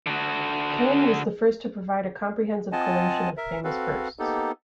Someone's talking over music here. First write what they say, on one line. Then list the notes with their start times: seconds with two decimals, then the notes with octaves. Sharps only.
Kane was the first to provide a comprehensive collation of famous firsts.
0.07 D3 F#4
2.72 C4 F4 D#5 F#5 G#5 A5
3.37 A#4 E5
3.64 C4 F#4 A4 B4 F5
4.19 A#3 B3 D#4 G4 A4